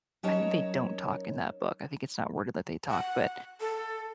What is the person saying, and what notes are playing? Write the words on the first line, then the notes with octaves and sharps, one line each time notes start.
I think they don't talk in that book, I think it's not worded that they talk. But,
F#3 C#4 D#4 A#4 C#5 A5
F#5
A4